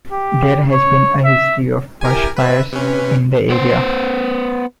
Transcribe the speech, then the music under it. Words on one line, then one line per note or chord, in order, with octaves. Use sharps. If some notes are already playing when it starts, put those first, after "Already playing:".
There has been a history of bushfires in the area.
G4
C#5
E5
E4 G4 A#4 G#5
C4 B4 E5
C3 C#4 B4
B3 C5